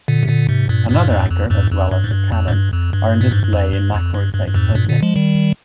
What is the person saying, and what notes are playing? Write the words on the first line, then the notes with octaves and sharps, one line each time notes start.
Another anchor, as well as a cannon, are on display in Macquarie Place, Sydney.
A#2 D3
C3
A#2 D3
G#2 C3
G2 A#2
G2 A#2
F2 G#2
F2
F2 G#2
F2
G2
G#2
G2
F2
G#2
G2
F2
G2
A#2
G#2
G2
F2
G2
F2
G2
G2
G2
F2 G#2
G2 A#2
A#2 D3
F3 G#3
D#3 G3